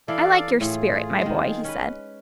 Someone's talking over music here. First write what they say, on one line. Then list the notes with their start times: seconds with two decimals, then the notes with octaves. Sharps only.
"I like your spirit, my boy," he said.
0.08 E3 A4 D5 F5
0.61 A2 F4 G#4
1.21 D#3 G#3
1.64 C#4 B4